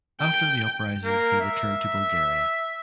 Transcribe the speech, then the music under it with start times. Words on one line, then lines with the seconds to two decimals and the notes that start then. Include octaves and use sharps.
After the uprising he returned to Bulgaria.
0.20 G5
1.04 A#3
1.40 E5